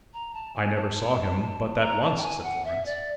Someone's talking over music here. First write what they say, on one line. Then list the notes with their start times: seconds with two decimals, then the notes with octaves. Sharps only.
"I never saw him but that once," said Florence.
0.14 A#5
0.34 A5
0.55 G#5
0.76 A5
1.81 A#5
2.01 A5
2.17 G5
2.23 G#5
2.43 F#5
2.65 E5
2.86 D5